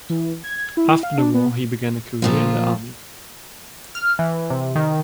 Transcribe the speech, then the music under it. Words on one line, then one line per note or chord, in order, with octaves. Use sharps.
After the war, he began a career in the army.
E3
G#6
E4
F5
D4
B3
A#2 F3 F4
F6
E3
C3
D#3